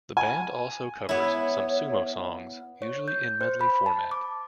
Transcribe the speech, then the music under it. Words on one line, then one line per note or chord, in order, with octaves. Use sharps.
The band also covers some Sumo songs, usually in medley format.
G#5
B3 E4 C#5
C#5
G6
C5
B5
A5
D6